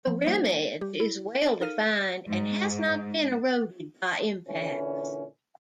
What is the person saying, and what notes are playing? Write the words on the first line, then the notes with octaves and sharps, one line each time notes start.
The rim edge is well-defined and has not been eroded by impacts.
F3 B3
G3 A#3 D#4 C5
G3 G4
E4
D#4 A4 A#4 F5 F6 D#7
G#2
A#2 D3 E3 C#4 E4